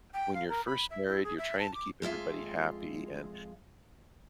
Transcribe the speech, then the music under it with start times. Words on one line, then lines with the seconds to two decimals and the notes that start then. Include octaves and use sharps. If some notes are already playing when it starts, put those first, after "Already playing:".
when you're first married, you're trying to keep everybody happy, and
0.14 G5
0.34 F5
0.49 A#4
0.66 B5
0.90 E5
1.08 E4
1.24 G#4
1.38 E5
1.59 A5
1.74 D6
2.02 F2 G#3 F4 E5